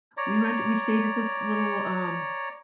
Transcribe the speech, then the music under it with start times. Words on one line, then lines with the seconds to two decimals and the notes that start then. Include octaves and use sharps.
we rent we stayed at this little, um,
0.17 C#5 D5 A#5